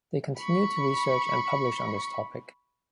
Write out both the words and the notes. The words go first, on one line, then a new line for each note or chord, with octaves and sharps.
They continue to research and publish on this topic.
B5 C#6